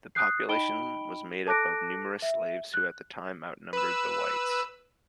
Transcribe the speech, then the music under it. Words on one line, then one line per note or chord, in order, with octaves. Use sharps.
The population was made up of numerous slaves, who at times outnumbered the whites.
D#6 F#6 G6 C7
D#4 D#5 G5 B5 D7 G7
A4 A5 D6 F#6 A#6 D7
E5
F#6
B4 E6